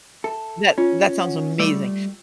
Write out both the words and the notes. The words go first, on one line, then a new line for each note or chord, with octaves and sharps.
That that sounds amazing.
A4 E5
C#4 F4
F#5
G3 A3 D5 E6